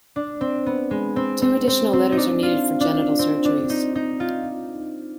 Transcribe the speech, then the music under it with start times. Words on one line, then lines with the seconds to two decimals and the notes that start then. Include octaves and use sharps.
Two additional letters are needed for genital surgeries.
0.16 D4
0.41 C4
0.66 B3
0.91 G#3
1.16 C4
1.42 C4
1.67 C4
1.93 C4
2.12 D#4
2.17 D4
2.43 F4
2.80 D4
3.19 C4
3.45 D4
3.70 D#4
3.95 D#4
4.20 F4